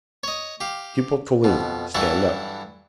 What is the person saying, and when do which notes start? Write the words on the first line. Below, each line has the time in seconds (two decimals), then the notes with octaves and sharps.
"Pupil Toline, stand up."
0.23 C#5 D#5
0.61 G4 F5
1.44 F2 B2
1.94 G2 E3 F#3 E4 A4 C#5